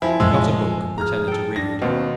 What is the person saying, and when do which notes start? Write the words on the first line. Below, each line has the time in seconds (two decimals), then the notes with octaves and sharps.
I got a book, and pretended to read.
0.02 F3 C4 E4 G#5
0.20 F#2 A#2 F3 G#3 A3 E6
0.98 G#4 A#5 F6
1.28 A4 G5
1.56 D4 A#6
1.82 D#2 B2 C4